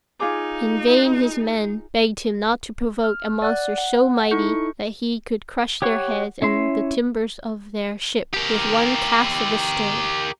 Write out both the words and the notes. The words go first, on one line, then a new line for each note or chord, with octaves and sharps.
In vain his men begged him not to provoke a monster so mighty that he could crush their heads and the timbers of their ship with one cast of a stone.
D#4 F4 G#4 D6
F6
D5 F#5 F#6
F#5
D#4 E4 A4 C#6 G6 C#7
G4 C#5 F#5 C#6
C#4 E4 C6
G4 A#4